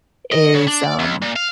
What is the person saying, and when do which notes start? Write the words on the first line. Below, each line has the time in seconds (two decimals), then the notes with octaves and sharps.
is, um,
0.32 D#5
0.54 C#3
0.67 D4
0.84 D5
0.99 C#2
1.22 A#2
1.36 F5